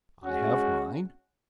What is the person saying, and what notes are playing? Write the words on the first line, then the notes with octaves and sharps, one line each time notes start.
"I have mine."
G#3 C#4 F#4